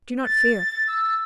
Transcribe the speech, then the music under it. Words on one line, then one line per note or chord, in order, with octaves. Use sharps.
Do not fear.
A6
E6